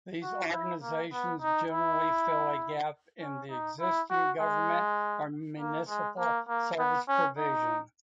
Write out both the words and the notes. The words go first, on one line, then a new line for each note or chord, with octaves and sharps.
These organizations generally fill a gap in the existing government or municipal service provision.
F#4
E4
A#3
B3
D#4
E4
C#4
D#4
E4
F#4
G#3
A#3
G#3
A#3
A#3
B3
C#4
D#4